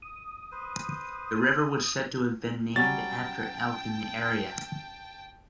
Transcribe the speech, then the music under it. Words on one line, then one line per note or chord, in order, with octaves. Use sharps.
The river was said to have been named after elk in the area.
D#6
B4 C5
F#3 G3 C#4 G5 A5 A6